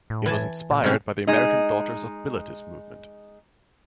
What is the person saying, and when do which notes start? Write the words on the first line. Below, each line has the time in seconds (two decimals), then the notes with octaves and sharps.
It was inspired by the American Daughters of Bilitis movement.
0.10 A2
0.26 E3 G#5 A5
0.71 A#2
0.83 A2 C3 G3 C#4
1.27 G#3 D#4